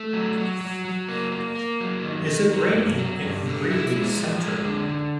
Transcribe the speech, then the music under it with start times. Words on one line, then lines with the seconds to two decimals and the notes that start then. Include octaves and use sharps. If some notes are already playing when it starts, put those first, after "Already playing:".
Is it rainy in Greely Center?
Already playing: A3
0.13 F#3
0.37 F#3
0.61 F#3
0.85 F#3
1.09 A#3
1.32 A#3
1.55 A#3
1.80 F#3
2.03 D#3
2.28 D#3
2.51 F#3
2.75 G2
2.98 F#3
3.23 G2
3.46 D3
3.70 E4
3.94 G#3
4.17 F3
4.41 G#3
4.65 D3
4.89 D3